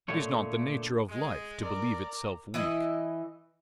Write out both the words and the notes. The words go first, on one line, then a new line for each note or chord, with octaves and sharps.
It is not the nature of life to believe itself weak.
A#2 D3 A3 C#5
G#3
A#4 D5
E3 E4 D#5